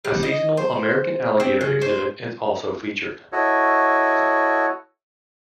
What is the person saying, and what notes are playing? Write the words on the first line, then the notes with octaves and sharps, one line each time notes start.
A seasonal, American Alligator Exhibit is also featured.
G3
D#5
C5
C4
C#3
C5
E4 F#4 A4 C#5 D#5